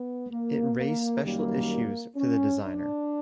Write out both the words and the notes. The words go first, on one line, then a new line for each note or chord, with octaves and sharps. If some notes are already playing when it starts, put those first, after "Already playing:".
It raised special issues for the designer.
Already playing: B3
A#3
A#3
F#2 D#3 G3 A#3
C#4
D4